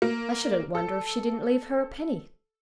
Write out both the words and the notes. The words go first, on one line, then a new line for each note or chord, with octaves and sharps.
I shouldn't wonder if she didn't leave her a penny.
A#3
A4